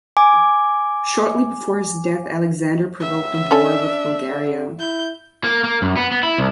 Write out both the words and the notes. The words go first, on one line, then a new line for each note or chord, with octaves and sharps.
Shortly before his death Alexander provoked a war with Bulgaria.
G#5 D6
C#2 E5
C#4 D4 A4
D3
E4 G6
A#3
A#3
F#2
B3
B3
E4
C2